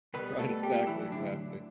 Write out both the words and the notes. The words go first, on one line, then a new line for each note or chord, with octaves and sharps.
Right, exactly, exactly.
B2 G3 B3 B4
A3 A4
G3 G4
D4
A2 E3 F#3 E4
D3 D4